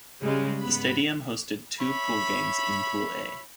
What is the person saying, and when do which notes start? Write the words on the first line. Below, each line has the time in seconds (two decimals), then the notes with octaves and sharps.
The stadium hosted two pool games in Pool A.
0.23 C#3 G3 G#3
0.60 G#2 B3 B5
1.81 C#5 E5 B5